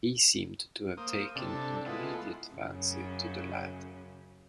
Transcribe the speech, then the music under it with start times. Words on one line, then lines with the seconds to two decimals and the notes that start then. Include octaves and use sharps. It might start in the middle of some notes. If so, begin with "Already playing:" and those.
He seemed to have taken an immediate fancy to the lad.
0.97 A#3 C5 D#6
1.35 C3 D4 A4
1.86 G#3 B3 E4 F4 A4
2.54 F#2 C#3